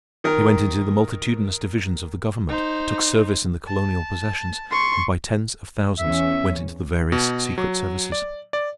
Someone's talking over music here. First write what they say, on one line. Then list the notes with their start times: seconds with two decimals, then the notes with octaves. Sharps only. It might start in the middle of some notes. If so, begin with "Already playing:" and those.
They went into the multitudinous divisions of the government, took service in the colonial possessions, and by tens of thousands went into the various secret services.
0.24 D#3 A#4
2.48 D#4 C5
3.67 A5
4.71 C6 C#6
5.99 E2 C#4 E5
7.12 B2
7.58 F#3
8.12 D5
8.53 D5